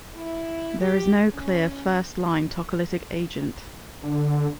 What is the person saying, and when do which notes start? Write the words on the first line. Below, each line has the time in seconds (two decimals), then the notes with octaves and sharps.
There is no clear first-line tocolytic agent.
0.15 E4
0.80 G4
1.34 C#4
4.03 D3